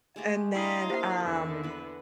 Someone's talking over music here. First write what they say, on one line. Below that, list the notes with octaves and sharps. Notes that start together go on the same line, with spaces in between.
And then, um,
G#3 A3 G4
D4 E4 D#5 F5 A#5 C6
A#3 G4 C5 E5
E2 D3
B3 B4